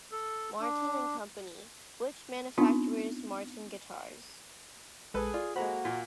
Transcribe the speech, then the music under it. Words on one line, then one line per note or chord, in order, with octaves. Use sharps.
Martin and Company, which manufactures Martin guitars.
A4
D4
B3 C4 D4 D#4 F4
A#1 G#3 G#4 A4 B4
F4 D5
G#3 A#3 F#4 A4 C5 A#5 B5
A#2 F4